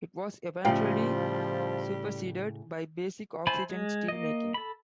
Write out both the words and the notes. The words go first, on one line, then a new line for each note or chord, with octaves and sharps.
It was eventually superseded by basic oxygen steelmaking.
A2 C#3 F3 G3 F5 G5
E4 C5 G#5 A5 B5
G#3
A#3 D#5
A4 B5